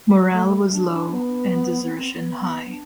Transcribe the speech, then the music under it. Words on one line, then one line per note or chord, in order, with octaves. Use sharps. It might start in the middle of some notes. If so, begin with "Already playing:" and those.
Morale was low and desertion high.
G3
A3
A3
G3
D4
D4
B3
C4
B3
B3
D4